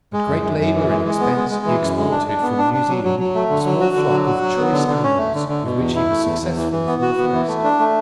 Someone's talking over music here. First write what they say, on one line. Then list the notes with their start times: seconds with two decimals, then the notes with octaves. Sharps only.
At great labour and expense he exported from New Zealand a small flock of choice animals, with which he was successful from the first.
0.13 G#3
0.28 F#2
0.43 F#2
0.59 F#2
0.74 E3
0.89 G#3
1.05 G#3
1.20 B3
1.35 G#3
1.50 G#3
1.65 E3
1.82 F#2
1.97 G#3
2.11 D4
2.27 D4
2.42 B3
2.58 D4
2.74 D4
2.88 F#3
3.04 F#3
3.20 F#3
3.35 A3
3.49 D3
3.66 F#3
3.80 F#4
3.96 D3
4.11 F#3
4.26 F#4
4.42 F#3
4.56 B3
4.72 D3
4.88 D3
5.04 C#4
5.18 A3
5.34 D3
5.48 D3
5.64 B2
5.79 E2
5.95 E4
6.10 A3
6.25 E2
6.42 E2
6.56 E3
6.72 E3
6.87 B3
7.02 F#4
7.18 B3
7.33 E3
7.48 A3
7.64 D4
7.79 A3